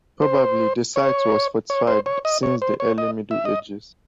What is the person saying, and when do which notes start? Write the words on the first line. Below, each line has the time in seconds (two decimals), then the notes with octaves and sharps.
Probably the site was fortified since the Early Middle Ages.
0.22 C5
0.96 C#5
1.70 C#5
1.87 C5
2.06 C#5
2.25 D#5
2.43 C#5
2.62 C5
2.80 C#5
2.98 D#5
3.31 E5
3.45 D#5